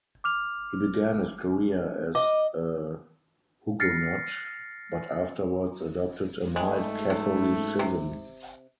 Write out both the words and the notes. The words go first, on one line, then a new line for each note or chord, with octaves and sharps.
He began his career as a Huguenot, but afterwards adopted a mild Catholicism.
D6 F6 F7
D#5 D6
F6 A6 A#6 C7 C#7
G#2 G#3 A3
C3
C3